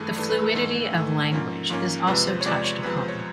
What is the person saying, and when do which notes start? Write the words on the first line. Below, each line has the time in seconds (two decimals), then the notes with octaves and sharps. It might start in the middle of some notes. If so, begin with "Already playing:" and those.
The fluidity of language is also touched upon.
Already playing: G2 E3 A3 G#4
0.16 G2 E3 A3
0.30 B4
0.42 A#4
0.55 G#2 E3 A3 A4
0.93 G#2 E3 A3
1.32 G#2 F3 A#3 C#4
1.70 G#2 F3 A#3 C#4
2.07 E2 C3 F3 G#3 B4
2.27 C5
2.41 C#5
2.46 E2 C3 F3 G#3 D5
2.64 C#5
2.83 E2 C3 F3 G#3 B4
2.97 C5
3.08 C#5